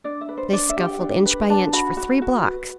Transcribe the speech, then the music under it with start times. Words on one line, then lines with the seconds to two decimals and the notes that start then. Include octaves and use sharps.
They scuffled inch by inch for three blocks.
0.04 D4 D5
0.21 E5
0.28 B4
0.37 C5
0.53 D4 D5
0.69 E5
0.77 G4 F#5
0.85 G5
1.01 D4
1.25 B4
1.50 D4 A5
1.73 F#4 B5
1.97 F#4
2.22 F#4
2.46 B4